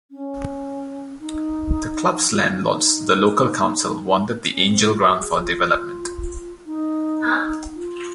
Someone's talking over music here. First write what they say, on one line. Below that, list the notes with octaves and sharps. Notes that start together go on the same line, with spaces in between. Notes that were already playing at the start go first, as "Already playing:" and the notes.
The club's landlords, the local council, wanted the Angel Ground for development.
C#4
D#4
F4
D#4
C#4
D#4
C#4
C4
F4
F#4
G#4
F4
D#4
F4